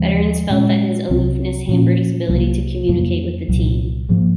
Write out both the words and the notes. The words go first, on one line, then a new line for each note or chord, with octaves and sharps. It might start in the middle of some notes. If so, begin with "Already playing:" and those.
Veterans felt that his aloofness hampered his ability to communicate with the team.
Already playing: D#2 C#3 F3 G#3
A#2 G#3 C#4
C2 C3 F#3 C4
A#2 F3 A#3 C#4
C2 C3 F#3 A#3
F2 C#3 F#3 A#3
C2 A#2 F#3
G#2 F3 A#3